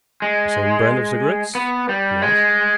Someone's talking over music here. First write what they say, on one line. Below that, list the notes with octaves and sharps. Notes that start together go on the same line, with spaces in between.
"The same brand of cigarettes?" he asked.
G#3
B3
G3
G#3